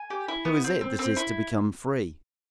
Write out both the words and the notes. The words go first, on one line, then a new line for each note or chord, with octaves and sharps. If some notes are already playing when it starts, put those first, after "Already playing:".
Who is it that is to become free?
Already playing: G#5
G4
E4
B3
C4
C4
C4
E4